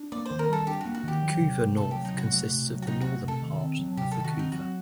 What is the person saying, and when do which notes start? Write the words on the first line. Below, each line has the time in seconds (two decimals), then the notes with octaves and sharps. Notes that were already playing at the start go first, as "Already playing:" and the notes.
Couva North consists of the northern part of the Couva.
Already playing: D4
0.12 A#3 D5
0.25 C5
0.31 D#3
0.39 A#4
0.49 G3 A4
0.67 D4 G4
0.81 A#3 F#4
0.95 F#4
1.04 D#3 G4
1.23 F#3
1.40 C3
1.59 A3
1.76 C3 A4
1.91 F#3 G4
2.05 D#4
2.14 C3 F#4
2.32 A3
2.51 C3
2.69 F#3
2.82 F#4
2.87 C3 D#4
3.01 A3 F#4
3.25 C3 A4
3.42 D#3
3.61 C4
3.79 F#3
3.97 C3 G4
4.11 D#3 A4
4.24 F#4
4.34 C4
4.39 D#4
4.52 F#3 F#4